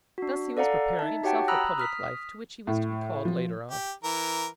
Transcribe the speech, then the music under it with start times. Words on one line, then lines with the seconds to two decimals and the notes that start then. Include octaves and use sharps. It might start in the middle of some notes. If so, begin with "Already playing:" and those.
Thus he was preparing himself for public life to which he was to be called later on.
0.18 D4 F#4
0.57 A4 D5 F5 F#5 A#5
0.99 D#4 E5 A5
1.23 F#4 G4 C#5 F#5 G5 A5
1.48 A#5 B5 D#6 E6 F#6 A#6
1.78 D#6 F6 B6
2.67 A2
3.25 F3
3.71 G4
4.04 E3 A#4